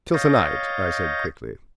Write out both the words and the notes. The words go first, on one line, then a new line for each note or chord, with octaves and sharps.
"Till to-night," I said quickly.
C#5 D#5 F5 G6 A6 A#6